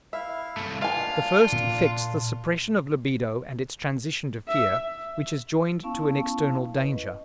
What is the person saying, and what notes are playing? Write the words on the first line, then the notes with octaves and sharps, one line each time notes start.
The first effects the suppression of libido and its transition to fear, which is joined to an external danger.
E4 E5 F5
C2 A3
A#3 D4 F4 F5 G#5
A#2
E5
B3 C#4 E4 F5 A5 C#6
B4 D#5